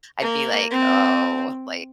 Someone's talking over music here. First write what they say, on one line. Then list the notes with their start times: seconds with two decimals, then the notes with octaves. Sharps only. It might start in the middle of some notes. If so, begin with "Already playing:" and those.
I'd be like, "Oh," like,
0.21 A#3
0.70 C4